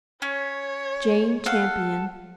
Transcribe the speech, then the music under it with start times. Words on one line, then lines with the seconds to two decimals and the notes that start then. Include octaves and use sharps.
Jane Champion.
0.22 C#4 C#5
1.46 A4 F5 F#5